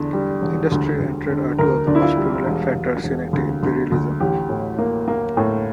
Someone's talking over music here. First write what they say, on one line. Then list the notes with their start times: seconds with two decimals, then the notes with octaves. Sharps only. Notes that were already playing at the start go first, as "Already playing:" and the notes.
Industry and trade are two of the most prevalent factors unique to imperialism.
Already playing: E2 D3
0.13 G3
0.42 E1
0.72 D2
1.00 D2
1.29 D3
1.58 D2 A#4
1.87 D2 D4
1.95 E4
2.02 F4
2.17 G3
2.46 E1
2.74 E1
3.04 E1
3.33 D2
3.63 D2
3.92 D2
4.20 A1 G4
4.49 A2
4.79 A#3
5.08 A#3
5.37 A2